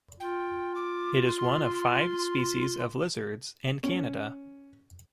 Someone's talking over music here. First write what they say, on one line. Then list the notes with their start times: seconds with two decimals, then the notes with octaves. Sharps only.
It is one of five species of lizards in Canada.
0.20 F4 G5
0.75 D6
1.28 C6
3.83 C#4